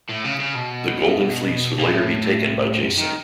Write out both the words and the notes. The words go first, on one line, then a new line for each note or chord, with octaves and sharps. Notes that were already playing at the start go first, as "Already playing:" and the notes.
The Golden Fleece would later be taken by Jason.
A2
C#3
C#3
B2
B2
A2
F#2
D#3